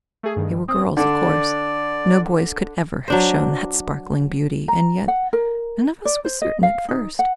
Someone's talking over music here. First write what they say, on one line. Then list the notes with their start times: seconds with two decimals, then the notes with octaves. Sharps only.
They were girls, of course, no boys could ever have shown that sparkling beauty, and yet none of us was certain at first.
0.23 A3 G#4
0.36 G2 D#3
0.68 C4 D#6
0.97 D3 D4 D5
3.08 F#3 D4 C5
4.68 A#5
5.08 F#5
5.33 A#4
6.05 D5
6.25 C5
6.42 D#5
6.63 F5
6.89 D#4
7.19 F#5